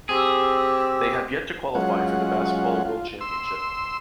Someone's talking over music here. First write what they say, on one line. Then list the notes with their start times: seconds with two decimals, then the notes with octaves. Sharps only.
They have yet to qualify for the Basketball World Championship.
0.09 C4 G4 G#4 E6
1.75 F#3 G#3 C#4 F4 F#5
2.85 F4
3.21 C6 E6